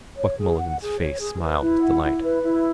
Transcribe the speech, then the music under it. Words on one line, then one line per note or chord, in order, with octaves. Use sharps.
Buck Mulligan's face smiled with delight.
C#5
G#4
F#5
G#4
C#5
G#4
B4
E4
F#5
E4
B4
E4